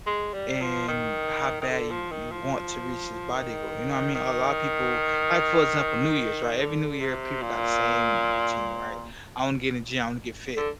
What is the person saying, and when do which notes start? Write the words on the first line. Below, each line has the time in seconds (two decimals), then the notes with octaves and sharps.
and how bad you you want to reach this body goal, you know what I mean? A lotta people, like, for example, New Year's, right? Every New Year, people got the same routine, right? "I wanna get in the gym, I wanna get fit."
0.06 G#3
0.33 G3
0.62 F3
0.88 D#3
1.61 D#3
1.69 D3
1.90 F3
2.11 D#3
2.31 F3
3.33 D#3
4.15 D#3
6.60 D3
7.00 C3
7.42 A#2
10.57 D3